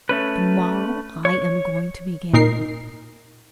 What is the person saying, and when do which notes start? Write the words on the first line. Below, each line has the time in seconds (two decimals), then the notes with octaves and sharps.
To-morrow I am going to begin.
0.09 A3 C#4 B4
1.25 C#5
2.34 A#2 D#4 A#4 C7